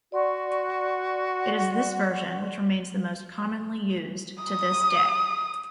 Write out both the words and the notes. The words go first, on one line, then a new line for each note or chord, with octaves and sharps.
It is this version which remains the most commonly used to this day.
F#4 D5 C6 C#6
D#6